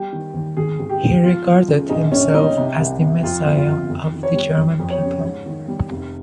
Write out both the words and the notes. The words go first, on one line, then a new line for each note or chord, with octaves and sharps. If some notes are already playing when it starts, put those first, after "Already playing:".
He regarded himself as the Messiah of the German people.
Already playing: G3 G4
D#3
D#2
G#1 G#4
G#1
G4
G#2
F3 F4
F3
C#2
A#1 D#4
A#1 C#4
G3 D#4
C3
C2
C3
F2 F4
G1
F4
F2
F2
D#3
C#5
G3
F2
F2
C#5
C#3
G#2
D#3
G3
F1